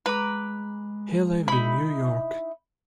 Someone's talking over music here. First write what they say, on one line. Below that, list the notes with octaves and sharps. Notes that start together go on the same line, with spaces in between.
He lived in New York.
G#3 B4 A#5 D6
D#4 E4 B5